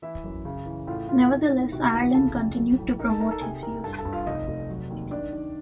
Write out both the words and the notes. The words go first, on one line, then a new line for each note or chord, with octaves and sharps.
Nevertheless, Ireland continued to promote his views.
E3 E4 E5
F#2
C#3
E3
A2 F4 F5
A2 F4 F5
D#3
D#3
C3 F#4 F#5
E3
C#3 A4 A5
F2
F#3
A2
D#4 A#4 A#5
A4 A5
D#4 A#4 A#5
A4 A5
C3 G#4 G#5
C2 A#4 A#5
G2 A4 A5
A4 A5
G2
F4 F5
F1 D#4 D#5
F1
F#3
D#2
D#3 D4 D5
D#3